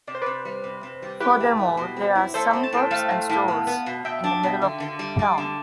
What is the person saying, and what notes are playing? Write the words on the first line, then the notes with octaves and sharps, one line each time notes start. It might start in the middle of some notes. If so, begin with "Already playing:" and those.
Furthermore, there are some pubs and stores in the middle of town.
C3 D5
C5
C3 B4 D5
G3
C3
C3
G3
E4 G4 B4
A3
E4
B2
C4
E4
A3 A4 C5
C4
A5
A2 G5
A3 F5 A5
A2
A2
B3
B3
B2
B2 E5 G5
D4
B2
D3
D3
G3
G3
D3